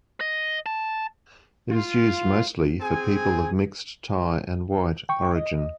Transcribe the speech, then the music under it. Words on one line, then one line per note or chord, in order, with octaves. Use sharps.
It is used mostly for people of mixed Thai and white origin.
D#5
A5
F4
C4 G#4 G#5
G5 C#6
D#5